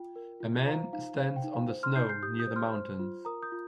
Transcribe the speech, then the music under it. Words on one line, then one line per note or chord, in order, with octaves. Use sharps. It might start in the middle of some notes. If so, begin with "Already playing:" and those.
A man stands on the snow near the mountains.
Already playing: F4 G5
A#4
F4
C5 F5 A#5
D#4 F5
C5 F5
G5
D#4
F5
C5
C6 F6
D#4 G6 C7
G6 C7
G4 D#6 G6
D#6 G6
C5
C6 F6
C5
F4
A#4 A#5 D#6
D#6 G6
F4